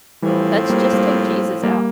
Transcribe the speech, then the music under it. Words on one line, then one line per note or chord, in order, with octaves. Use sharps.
Let's just take Jesus out.
A2 E3 F3 G3 C4
G3 A#3
G3 A#3
G3 A#3